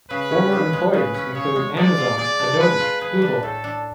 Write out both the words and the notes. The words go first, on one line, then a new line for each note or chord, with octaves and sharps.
Former employers include Amazon, Adobe, Google.
C#3 B4
C#4
C#3
G#3
C#3 B4
C#4
C#3 C#5
G#3
G#3 D5
F4
G#4 D5
D4
G#3 B4
F4
G#4 B4
D4
A2 A4
D4